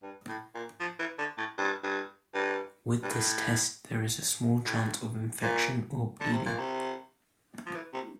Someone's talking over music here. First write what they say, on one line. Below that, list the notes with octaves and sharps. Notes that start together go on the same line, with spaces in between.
With this test there is a small chance of infection or bleeding.
G2
A2
A#2
F3
E3
D3
A2
G2
G2
G2
G2
A2
A2
A#2
D3
C3
A#2
C3
F3
E3
C3